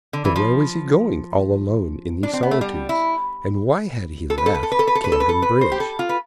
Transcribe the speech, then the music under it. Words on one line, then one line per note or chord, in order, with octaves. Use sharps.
But where was he going all alone in these solitudes and why had he left Camden Bridge?
D3
E3
F3
D4
C4
B3
A3
G3
E4
A4
B4
A4
B4
A4
B4
A4
B4
A4
B4
A4
B4
A4
B4
C5
G4
A4
F4
B4